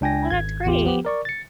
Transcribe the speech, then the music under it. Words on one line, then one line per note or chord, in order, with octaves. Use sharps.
Well, that's great.
C#2 D4 G5 G#5 A#6
G#1 G#6
A1 E2 F4 G4
F3 B3 G4
A#4 D5 C#6
A6 C#7